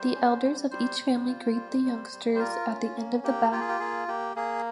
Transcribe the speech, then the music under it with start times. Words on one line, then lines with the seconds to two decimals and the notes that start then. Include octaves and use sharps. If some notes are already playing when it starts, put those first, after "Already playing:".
The elders of each family greet the youngsters at the end of the bath.
Already playing: G3 C5
0.15 C#4
0.43 G3
0.71 G3 C5
1.00 G3
1.27 F4
1.55 G3
1.84 G3
2.12 G3
2.35 C5
2.39 F4 A#4
2.67 C#4
2.96 A#3
3.24 A#3 G4
3.52 F4 G4
3.61 G#4
3.69 G4
3.79 A#3 G#4
4.08 A#3 G4
4.36 A#3 G#4